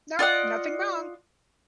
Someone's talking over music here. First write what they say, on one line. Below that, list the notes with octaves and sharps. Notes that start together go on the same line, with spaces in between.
No. Nothing wrong."
F4 D5 D#5 F#5